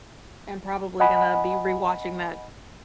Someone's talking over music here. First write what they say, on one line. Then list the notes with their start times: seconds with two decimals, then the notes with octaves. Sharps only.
am probably gonna be rewatching that
1.00 D#5 F#5 G#5 B5